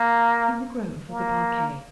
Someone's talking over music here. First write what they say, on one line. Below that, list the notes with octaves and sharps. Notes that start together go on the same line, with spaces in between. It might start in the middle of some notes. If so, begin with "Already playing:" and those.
"In the grove of the parquet."
Already playing: A#3
A#3